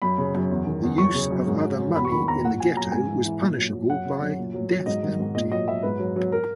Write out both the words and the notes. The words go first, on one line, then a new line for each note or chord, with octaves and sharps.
The use of other money in the Ghetto was punishable by death penalty.
F#2 B5
C#3
F#2
E2
D#3
E2
F#2 C#6
C#3
F#2
G#2
F#3
F#3
E2 B5
C#6
D#3 B5
E2 A#5
A#2 F#5
F#3 G#5
F#3 A#5
G#2 G#5
E3
E3
A#2
F#3
F#3
F#2 F#5
C#3
F#2
A#2
F#3
F#3
G#2 D#5
D#3
G#2
A#2 D#5
F#3 D#5
F#3 E5
G#2 B4
F#3
F#3
A#4